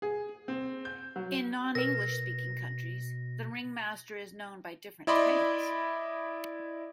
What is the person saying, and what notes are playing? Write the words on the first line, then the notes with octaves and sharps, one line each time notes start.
In non-English speaking countries the ring master is known by different titles.
G#4
C4
G6
F#3
B2 A#4 B4 A#6
E4 D5 D#5 B5 C6 D6